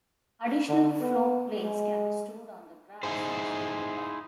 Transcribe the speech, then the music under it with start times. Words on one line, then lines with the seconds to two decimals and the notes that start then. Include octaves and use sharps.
Additional floatplanes can be stored on the grass next to the dock.
0.69 D3
1.01 B3
1.63 G#3
3.03 D#4 E4 G#4 C5